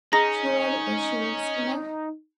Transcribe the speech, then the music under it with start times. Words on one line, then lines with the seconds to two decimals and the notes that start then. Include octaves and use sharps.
Surely a shilling's enough?
0.13 C#4 D#4 G#4 A#5 A#6